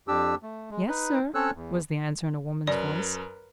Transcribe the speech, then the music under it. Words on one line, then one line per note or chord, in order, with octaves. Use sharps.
"Yes, sir," was the answer, in a woman's voice.
F2 D4 G4 E6
A3
G#3
D#4 B4
C4 C#4 A4 C#5 E6 F#6
E2
F#2 A#4 B4 D5